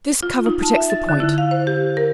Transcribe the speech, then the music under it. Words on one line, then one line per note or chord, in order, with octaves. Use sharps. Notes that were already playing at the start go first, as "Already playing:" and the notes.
This cover protects the point.
F4
D#4
A5
E5
A6
D3
E4
F5
C5
G4
A#4